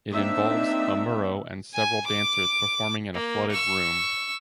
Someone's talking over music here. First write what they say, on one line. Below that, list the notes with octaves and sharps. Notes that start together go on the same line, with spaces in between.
It involves Amuro and several dancers performing in a flooded room.
A#3 C4 D4 D#4 E5
G#5
D6
A#3
C#6 E6